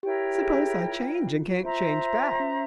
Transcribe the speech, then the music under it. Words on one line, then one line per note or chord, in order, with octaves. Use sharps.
"Suppose I change and can't change back?"
E4 G4 A#4 C#5 G5
G4
G#4
F4
F4
F4 C5 E5 A#5
C#4